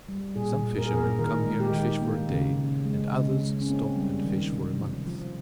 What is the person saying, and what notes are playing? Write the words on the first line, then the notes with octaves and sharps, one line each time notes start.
Some fishermen come here and fish for a day, and others stop and fish for a month.
G3
A#2 G#4
A#2
A#4
G#4
A#2 A#4
D#3 A#4
G#3
G4
D#3
A#3
C#3
C#3
G#3
C#3
G#3
C#4
A#3 C4
G3
D#3
C3
F3
F3